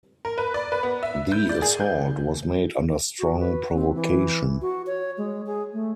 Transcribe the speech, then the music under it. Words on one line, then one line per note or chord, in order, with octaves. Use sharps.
The assault was made under strong provocation.
A#4
B4
D5
B4
B3
E5
G6
D5
G#4
G6
F#4
B4
C4
E3
F#4
C#5
G#3
G#4
A3